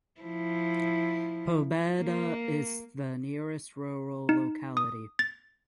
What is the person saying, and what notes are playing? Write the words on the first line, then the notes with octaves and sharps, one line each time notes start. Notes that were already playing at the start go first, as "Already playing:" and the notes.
Pobeda is the nearest rural locality.
F3 E4
A#3
D#4
D#6
A6